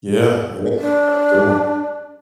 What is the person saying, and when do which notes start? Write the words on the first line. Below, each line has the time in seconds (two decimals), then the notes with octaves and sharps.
Yeah, that's that's cool.
0.79 D4